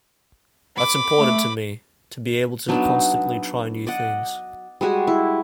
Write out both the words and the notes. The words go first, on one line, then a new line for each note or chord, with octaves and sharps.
That's important to me - to be able to constantly try new things.
B5 D6
A3
F#3 B3 D4 D#4
D5 D#5 F#5
G3 G#3 F#4 G#4
E4